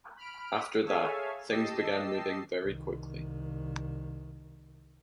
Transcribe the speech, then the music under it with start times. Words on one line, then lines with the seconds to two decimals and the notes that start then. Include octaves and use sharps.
After that, things began moving very quickly.
0.17 B5 F6 D7
0.86 G#4 A4 C#5 E5 F5 G#5
1.50 G4 D#5 A5 E6 C7
2.64 C2 D#3